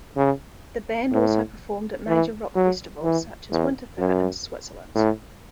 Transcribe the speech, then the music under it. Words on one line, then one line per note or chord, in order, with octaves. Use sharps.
The band also performed at major rock festivals such as Winterthur in Switzerland.
C#3
A2
E3
F#3
E3
E2
F#2
A2